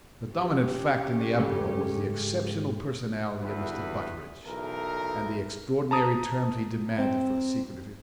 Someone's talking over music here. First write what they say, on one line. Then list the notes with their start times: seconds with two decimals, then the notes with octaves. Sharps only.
The dominant fact in the uproar was the exceptional personality of Mr. Butteridge, and the extraordinary terms he demanded for the secret of his machine.
0.34 C#4 G4
1.40 G#2 C#3 A3
3.40 G1 E2 E4 F#4 B4
4.45 B1 E2 A4 A#4
5.91 A5 A#5 D#6
6.98 C4